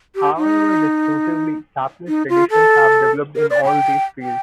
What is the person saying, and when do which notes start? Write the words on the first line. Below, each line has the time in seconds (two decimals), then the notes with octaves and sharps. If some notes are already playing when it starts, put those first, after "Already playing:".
However distinctively Japanese traditions have developed in all these fields.
0.15 G4
0.37 D#4
2.08 D#4
2.29 F4
2.51 A4
3.36 A#4
3.50 D5
3.64 G5
4.22 G5